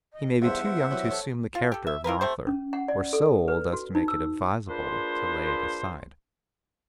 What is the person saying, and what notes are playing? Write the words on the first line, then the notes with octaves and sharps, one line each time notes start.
He may be too young to assume the character of an author, or so old as to make it advisable to lay it aside.
D#5
E2 G2 C5 E5 F#5
C5
C3 E3 F#3
A4 C#5
F4
G4 A4
E5
E4 F4 A#4 B4
C3 A3 C5
C#4
F#5
D5
A4
B4
F#4
D#4
E6
A#3 D4 F4 G#4 B4 C5